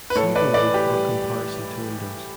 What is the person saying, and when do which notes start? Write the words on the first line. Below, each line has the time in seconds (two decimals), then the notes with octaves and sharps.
See below for a comparison to Windows.
0.10 B4
0.16 A2 A4 C#5
0.36 B4 D5
0.54 E3 B4 D5
0.74 G4 B4
0.94 G3